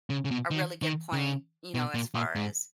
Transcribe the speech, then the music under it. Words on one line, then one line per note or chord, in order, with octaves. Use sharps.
a really good point, you know, as far as
C#3
C#3
B2
D#3
D#3
C#3
B2
A#2
A#2
G#2